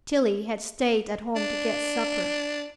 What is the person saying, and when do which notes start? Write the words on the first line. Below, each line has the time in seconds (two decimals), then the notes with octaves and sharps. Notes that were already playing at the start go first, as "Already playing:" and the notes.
Tillie had stayed at home to get supper.
1.36 D4